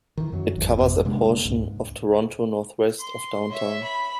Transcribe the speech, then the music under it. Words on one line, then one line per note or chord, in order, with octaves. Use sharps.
It covers a portion of Toronto northwest of downtown.
D#3 E3
F#2 F#3
G#1 E2
G#1 F2 C3 B3
C3 G#3 A#3 D4
C#2 G#2
C6
C#5 E5
B5